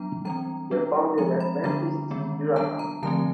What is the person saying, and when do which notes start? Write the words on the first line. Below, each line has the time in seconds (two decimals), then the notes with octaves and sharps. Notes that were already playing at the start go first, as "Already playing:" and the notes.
The founder was Francis G. Graham.
Already playing: F#3 B3 D4 A#5
0.25 E3 G3 C4 A#5
0.71 G3 B3 D4
1.18 F3 G#3 C4 A#5
1.40 B5
1.64 D3 G3 B3 D4 A#5
2.11 D#3 G#3 B3
2.56 G3 B3 D4 A5
2.79 A#5
3.03 D3 F3 A3 C4 A5